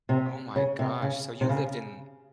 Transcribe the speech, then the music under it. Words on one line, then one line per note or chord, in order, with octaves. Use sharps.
Oh my gosh. So you lived in m
C3
C#3
C3
C#3
C3
C#3